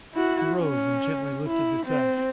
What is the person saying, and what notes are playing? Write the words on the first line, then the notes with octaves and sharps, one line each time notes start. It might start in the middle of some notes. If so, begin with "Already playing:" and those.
He rose and gently lifted the sash.
E4 F#4
C#4
E4
C4